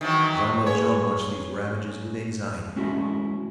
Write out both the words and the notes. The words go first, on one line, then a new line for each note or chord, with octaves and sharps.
Jean Valjean watched these ravages with anxiety.
D#3 E3 F#3
G#4 B4 C#5
G#3 A3 C#4 E4 F#4